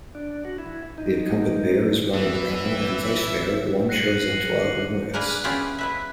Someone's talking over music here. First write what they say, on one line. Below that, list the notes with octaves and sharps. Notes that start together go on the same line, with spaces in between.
The incumbent mayor is Ronnie Magana and vice mayor Juancho Zantua Ramores.
D4
F#4
E4
D#4
E3 F#3 B3 E5
F#6 A#6 C7 C#7 D#7 F#7
A#3 D4 G#4 A#4 B4
B3 C#4 E4 F4 G4 G#4
E4 B4 E5